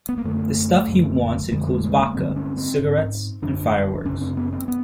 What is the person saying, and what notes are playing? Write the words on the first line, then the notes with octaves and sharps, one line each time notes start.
The stuff he wants includes vodka, cigarettes and fireworks.
B3
A#3
F#2 D3 A3
F#2 D3
F2 D3 G#3
G#3
G#3
A#3
G2 D3 C4
C#4
C4
G#2
F#2 D3 D4
F#2 C#3 C#4
C4
B3
C4
B3